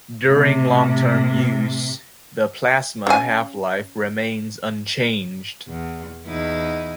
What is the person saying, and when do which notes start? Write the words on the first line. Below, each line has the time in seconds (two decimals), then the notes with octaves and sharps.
During long-term use, the plasma half-life remains unchanged.
0.25 A2 C3
3.07 C#3 G#5
5.68 E2
6.27 E2 D#4 E4